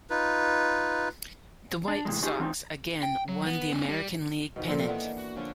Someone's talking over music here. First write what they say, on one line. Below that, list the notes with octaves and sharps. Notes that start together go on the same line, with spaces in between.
The White Sox again won the American League pennant.
D#4 F4 B4
D4
A2 C3 E3 G#3
C#4 D#4 F4 G4 G#4
E3 C4 D#4 F4 C5
G5
F#3
B3
C4 D4
G3
B2 D#3 F3
A#2 F3 A#3 C4 A4 A#4
E3 B3 D4 A#4 D#5
F#4
D3 F3 C#4